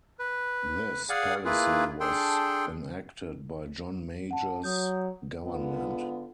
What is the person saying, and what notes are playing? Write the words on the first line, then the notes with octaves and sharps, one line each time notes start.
This policy was enacted by John Major's government.
B4
G#4 D5 F5 F#5 G#5
A#3 E4 F4 G#4 B4
D4 G#4 A4 G5 C6
F#5 A5
F#3 D#6 G6
G#2 D3 B3 F4